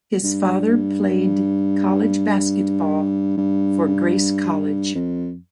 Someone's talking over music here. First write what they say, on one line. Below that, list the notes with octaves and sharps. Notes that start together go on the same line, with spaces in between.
His father played college basketball for Grace College.
G2
G2
F2